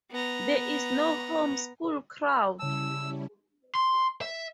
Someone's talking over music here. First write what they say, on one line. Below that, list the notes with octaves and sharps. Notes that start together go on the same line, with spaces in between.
There is no home school crowd.
B3 A#5
C#3 G3 C#4 E4 A5 E6
C6
E5